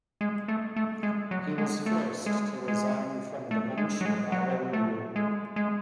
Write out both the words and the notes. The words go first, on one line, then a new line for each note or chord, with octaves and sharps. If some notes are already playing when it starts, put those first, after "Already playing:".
He was forced to resign from the Bench the following year.
G#3
A3
A3
G#3
F#3
G#3
A3
G#3
G#3
A3
G#3
F#3
G#3
F#3
A3
G#3
G#3